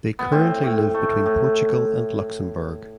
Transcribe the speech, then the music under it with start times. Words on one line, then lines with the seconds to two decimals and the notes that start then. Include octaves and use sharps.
They currently live between Portugal and Luxembourg.
0.19 B3
0.32 A2 C4
0.64 A2
0.94 A3
1.26 A2